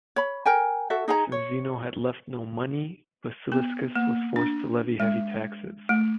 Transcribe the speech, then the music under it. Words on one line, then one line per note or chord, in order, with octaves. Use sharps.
Since Zeno had left no money, Basiliscus was forced to levy heavy taxes.
C#5 B5
A#4 G5 G#5
F#4 A4 E5
D#4 G#4 G#5 A#5
C#5
B3
A#3
D4
G#3
A3